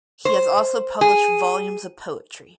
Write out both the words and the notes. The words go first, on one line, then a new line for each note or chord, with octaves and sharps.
He has also published volumes of poetry.
C5
G#4